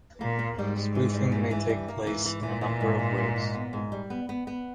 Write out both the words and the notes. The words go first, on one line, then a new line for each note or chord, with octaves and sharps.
Spoofing may take place in a number of ways.
A#2 A#3
A#3
G#2 G3
G3
E3
G3
E3
E3
G2 G3
A#3
G#2 E3
E3
A#2 E3
E3
G#2
E3
G#2
G#2
B3
G#2
G3
B3
B3
B3